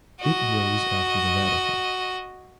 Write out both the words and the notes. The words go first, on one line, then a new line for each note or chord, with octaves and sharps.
It grows after the radicle.
F#4 D#5